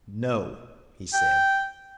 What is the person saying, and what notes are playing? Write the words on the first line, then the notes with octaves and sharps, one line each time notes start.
"No!" he said.
G5